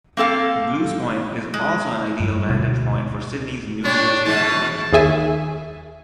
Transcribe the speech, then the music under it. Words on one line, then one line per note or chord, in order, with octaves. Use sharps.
Blues Point is also an ideal vantage point for Sydney's New Years Eve celebration.
A#3 C4 A4 F5
G#3
G2 G3
D2 B2
G3 D4 C#5
B2 E3 G#3 A5
D#2 G#4 E5 G#5